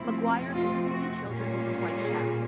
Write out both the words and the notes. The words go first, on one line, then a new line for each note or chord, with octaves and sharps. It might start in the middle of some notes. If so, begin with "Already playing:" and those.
Maguire has three children with his wife Sharon.
Already playing: F2 C3 F3 A3 C4 E4
F4
F#4
A#2 G3 A#3 C#4
G#4